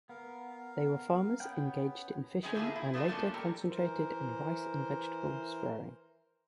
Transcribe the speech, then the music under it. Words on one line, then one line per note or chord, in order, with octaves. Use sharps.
They were farmers engaged in fishing and later concentrated in rice and vegetables growing.
B3 A#4 F5
B3 C#4 F#5 G5
D#3 G3 G#3 C#4 D4 G#5
D3 F3 A#3 E4 F4 G#4
E4
F3 A3 D4 F4 F#4
A3 A#3 C#4 D4 E4 F4
G3 A4 A#4 A#5
E3 A#4 C5